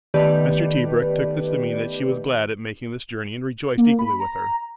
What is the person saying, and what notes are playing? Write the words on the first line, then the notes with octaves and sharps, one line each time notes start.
Mr. Tebrick took this to mean that she was glad at making this journey and rejoiced equally with her.
D#3 A3 B3 G4 B4 D5
A#3
B5
A#5